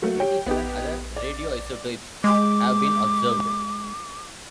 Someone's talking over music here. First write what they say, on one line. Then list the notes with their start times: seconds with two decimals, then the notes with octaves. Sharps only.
Twenty-seven other radioisotopes have been observed.
0.02 F#3 A3 A#3 F#4
0.20 G4 C#5 G5
0.46 A#1 B3 D#4 G4
1.16 D5
2.24 G#3 D6